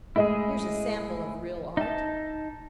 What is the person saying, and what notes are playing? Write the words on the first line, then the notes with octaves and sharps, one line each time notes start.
'Here's a sample of real Art.
A2 G#3 E4 G#4 D#5
D#4 E5 A5